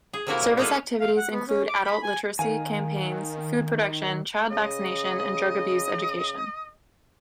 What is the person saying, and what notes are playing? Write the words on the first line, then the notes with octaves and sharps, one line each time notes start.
Service activities include adult literacy campaigns, food production, child vaccination and drug abuse education.
G#4
C3 A3 A#3 E4 F#4 A#4
A#2
G#3 A#3 D#4 F4 A4 B4
F5
F#5
B3
C#4
D6
B5
G#5
D#3 A#4 F5 G#5
C#3 D#5